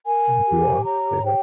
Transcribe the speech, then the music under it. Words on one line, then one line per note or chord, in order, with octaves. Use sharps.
If you want to say that.
A#4 G#5
G4
C#5 A#5
G4 G5